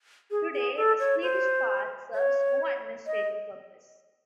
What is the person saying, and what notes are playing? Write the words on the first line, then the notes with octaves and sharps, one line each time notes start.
Today, the Swedish part serves no administrative purpose.
G#4
G#4
A4
C#5
C5
C#5
D#5